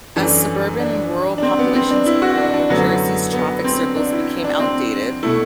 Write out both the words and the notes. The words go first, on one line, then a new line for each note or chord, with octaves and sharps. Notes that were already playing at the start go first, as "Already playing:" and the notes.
As suburban and rural populations grew New Jersey's traffic circles became outdated.
F#2 E3 A3 D4
D4
D4
C4
B3
C4
D4
E4
F#4
D4
D4
F#2 D3 F#3 A3 B3
B3
C4
D4
E4
D4
C4
B2 A3 E4